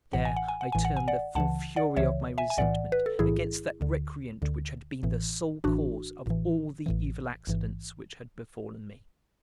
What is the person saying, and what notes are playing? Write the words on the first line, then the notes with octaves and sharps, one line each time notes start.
There, I turned the full fury of my resentment against that recreant which had been the sole cause of all the evil accidents which had befallen me.
A1 A2 E3 F#5
G#5
F#5
G#5
F#5
A1 A2 E3 G#5
F#5
G#5
D5 F#5
C#2 C#3 E3 F#5 A5
D5 F#5
C#2 C#3 E3 C#5 E5
E5 G#5
G#5
B1 A2 E3 D5 F#5
B4
A4
B1 A2 E3 E4 G#4
D2 D3
D2 D3
A1 A2 E3
A1 A2 E3 D4 F#4
A1 A2 E3
A1 A2 E3
A1 G#2 E3